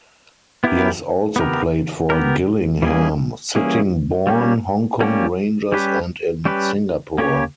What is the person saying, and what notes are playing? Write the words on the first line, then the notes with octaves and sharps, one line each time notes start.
He has also played for Gillingham, Sittingbourne, Hong Kong Rangers and in Singapore.
B3 E4 G4 A#4
B3 G4 A#4
B3 G4 A#4
E3 G3 A#3 C#4 G#4
E3 G3 A#3 C#4 G#4
G3 A#3 C#4 G4
G3 A#3 C#4 G4
G3 C#4 G4 B4
G3 C#4 G4 B4
A#3 C#4 G4 C#5